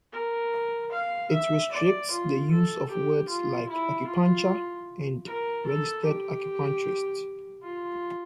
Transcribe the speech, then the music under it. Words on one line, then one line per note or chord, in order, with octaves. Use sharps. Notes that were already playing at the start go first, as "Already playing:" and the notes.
It restricts the use of words like "Acupuncture" and "Registered Acupuncturist".
A#4
F5
E5
D5
F4
A4
G4
F4
E4
F4
A#4
A4
G4
F4